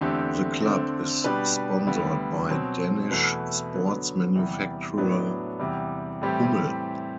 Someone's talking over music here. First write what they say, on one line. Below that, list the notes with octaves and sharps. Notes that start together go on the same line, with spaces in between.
The club is sponsored by Danish sports manufacturer Hummel.
E2 D3 A3 C4 G4
D3 A3 C4
B2 G3 D4 G4 B4
D2 D3 G3 B3
B2 F#3 C4
E2 B2 A3 E4 B4
D3 F#3 B3
E2 C3 G3
A2 F#3 B3 D4
E2 C3 G3
A2 E3 G3 C4 G4